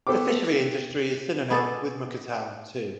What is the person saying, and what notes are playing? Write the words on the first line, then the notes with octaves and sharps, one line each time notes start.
The fishery industry is synonym with Mukah town too.
B3 A4 C5 G5 D6
B3 F#4 G#4 A4 D5